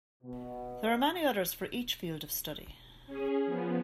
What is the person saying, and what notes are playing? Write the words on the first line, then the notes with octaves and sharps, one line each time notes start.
There are many others for each field of study.
B2
C#4 G#4
F3 B3